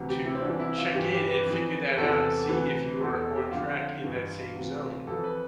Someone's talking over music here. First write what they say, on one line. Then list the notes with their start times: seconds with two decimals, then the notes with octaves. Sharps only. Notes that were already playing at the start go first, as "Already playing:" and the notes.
to check in, and figure that out, and see if you are on track in that same zone,
Already playing: D2 C3 E3
0.08 G4
0.25 E4
0.35 C4
0.43 C2 C3 E3 D4
0.59 E4
0.78 F4
0.94 G2 E3 G4
1.12 G4
1.29 B4
1.46 F2 E3
1.97 E2 C3 E3 A4
2.49 D2 C3 E3 B4
3.00 E2 B2 A4
3.18 A4
3.35 G4
3.52 F2 D3 F4
4.04 G2 E3
4.55 D2 C3 E3
5.07 F2 E3 A4
5.24 B4